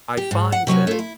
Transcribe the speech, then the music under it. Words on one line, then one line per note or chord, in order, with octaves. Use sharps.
I find that
G4
G#2
F#5
C3 F#3 C#4 F#4
A3 F4
E4